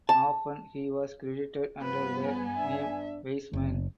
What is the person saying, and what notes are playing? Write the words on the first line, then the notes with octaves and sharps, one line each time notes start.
Often he was credited under the name Weisman.
A5
G2 F3 B3 B4
G#5
D4 E5
F#1